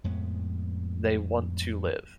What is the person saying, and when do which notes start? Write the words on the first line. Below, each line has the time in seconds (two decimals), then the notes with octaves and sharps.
They want to live.
0.04 F2 A2 G#3 B3